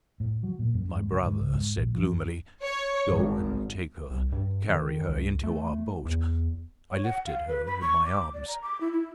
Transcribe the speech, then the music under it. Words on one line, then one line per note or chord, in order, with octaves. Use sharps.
My brother said gloomily, 'Go and take her; carry her into our boat.' I lifted her in my arms.
A2
F#3
A#2
F#2
G#2
D2
G#2
C#2
G#2
A#1
F3
F#2
C#5
G#1
C2
G2
D#3
C#2
A3
E2
C#5
F#5
F5
B4
B5
C#6
D6
D5
A#5
D6
E4
E4